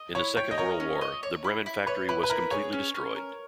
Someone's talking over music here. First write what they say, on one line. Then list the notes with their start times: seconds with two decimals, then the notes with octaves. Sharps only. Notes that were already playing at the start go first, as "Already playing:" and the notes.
In the Second World War, the Bremen factory was completely destroyed.
Already playing: D#5
0.15 E4 C#5
0.37 C#5 G5
0.51 D#5
0.58 A#4 C#5
0.80 C#4
1.01 D#5
1.23 C#5
1.44 E4
1.66 E4
1.86 B4 C#5
2.09 E4 B4
2.23 B4
2.30 E4 A#4
2.51 G#4 C#5
2.73 C#4
2.95 C#4
3.16 A#4